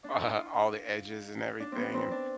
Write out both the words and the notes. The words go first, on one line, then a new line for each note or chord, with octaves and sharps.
uh, all the edges and everything, and
D4
E4
F4
D4
C4
B3
C4
D4